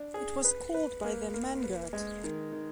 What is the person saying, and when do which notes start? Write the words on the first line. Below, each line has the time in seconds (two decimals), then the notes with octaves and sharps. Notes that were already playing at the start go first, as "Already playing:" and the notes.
It was called by them "mangurt".
Already playing: D4
0.14 G#4
0.44 B4
0.74 B4
1.04 A#3
1.34 A#3
1.64 B4
1.93 G#3
2.24 D#3
2.52 D#3